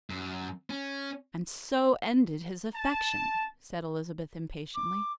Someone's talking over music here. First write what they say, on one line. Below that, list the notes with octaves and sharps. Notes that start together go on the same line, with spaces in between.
"And so ended his affection," said Elizabeth impatiently.
F#2
C#4
A5
D6